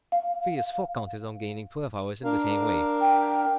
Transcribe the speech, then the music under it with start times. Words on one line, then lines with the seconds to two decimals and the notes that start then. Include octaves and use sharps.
Phileas Fogg counted on gaining twelve hours in the same way.
0.12 F5
2.24 D4 A#4 F5
3.01 G5